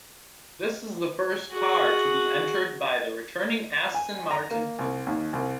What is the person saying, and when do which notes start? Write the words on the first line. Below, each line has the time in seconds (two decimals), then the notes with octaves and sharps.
This is the first car to be entered by the returning Aston Martin team.
1.53 F#4 G#4
3.94 G#5
4.31 A#5
4.51 A#3
4.79 C2
5.07 D#2
5.33 C2